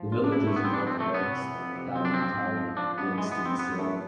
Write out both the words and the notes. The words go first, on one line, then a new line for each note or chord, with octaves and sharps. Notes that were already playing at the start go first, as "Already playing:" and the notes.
The village is northwest of downtown Winston-Salem.
Already playing: F3
C2 F4
D4
C3 E4
A3
C2 B3
C4
F2 D4
C4
C3
A3
C3 B3
E3
F2
C3
F2 C4
D4
F3 C4
G#2
F3
F3 D4
G#2 B3
E3 G#3
B3
F2
C4
F2 B3
E3 A3